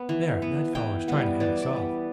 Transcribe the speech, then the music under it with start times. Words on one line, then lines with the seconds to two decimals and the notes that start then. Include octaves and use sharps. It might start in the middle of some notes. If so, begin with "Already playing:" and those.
"There, that fellow is trying to head us off."
Already playing: B3
0.09 E3
0.42 B3
0.75 E3 G5
1.08 G3 B3
1.40 E3 D5
1.62 D5
1.73 G3 B3